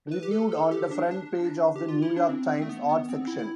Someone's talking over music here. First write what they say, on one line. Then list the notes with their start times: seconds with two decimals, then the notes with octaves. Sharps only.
Reviewed on the front page of The New York Times Art section.
0.11 B4
0.23 G4
0.31 A4
0.52 A4
0.71 G4
0.91 D4
1.11 D4
1.76 G4
1.88 F4
2.02 E4
2.16 D4
2.29 C4
2.49 C4
2.62 A3
2.69 B3
2.89 B3
3.09 C4
3.28 E4
3.39 E4